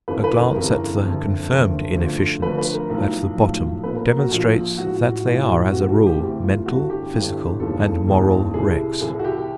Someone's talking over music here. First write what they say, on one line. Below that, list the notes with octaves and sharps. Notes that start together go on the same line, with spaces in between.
A glance at the confirmed inefficients at the bottom demonstrates that they are, as a rule, mental, physical, and moral wrecks.
G1 F2 C#3 E3 B4
B4
A#4
G1 F2 C#3 E3 A#4
F#1 F2 D3
F#1 F2 D3
D2 D3 F3
D2 D3 F3 B4
B4
A#4
B1 A2 F3
B1 A2 F3
A#1 A#2 F3 B4
A#4
A#4
F#4
A#1 A#2 F3 F4
A1 G#2 E3 F#4
F4
F#4
A1 G#2 E3 F4
F#4
F#4
D2 C3 E3 F#4
F#4
G#4
G4
D2 C3 E3
F4
G1 G2 E3 F#4
G4
G1 G2 E3
E1 D#2 C#3 E3 A4
E1 D#2 C#3 E3
C2 C3 E3 G#4
C2 C3 E3 G#4
F#4
G4